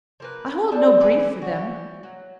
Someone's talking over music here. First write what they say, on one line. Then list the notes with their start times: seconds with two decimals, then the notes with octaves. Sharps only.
I hold no brief for them.
0.20 F3 A#3 B4
0.72 G3 D4
1.00 E3 B4 D5
1.42 F#4 G4
2.03 F#3